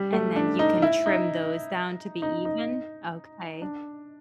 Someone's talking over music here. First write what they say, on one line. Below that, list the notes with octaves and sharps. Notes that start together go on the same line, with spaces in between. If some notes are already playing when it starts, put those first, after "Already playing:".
And then you can trim those down to be even? Okay.
Already playing: G3
A3
D4
D#4
E4
D#4
D#4
D#4
D4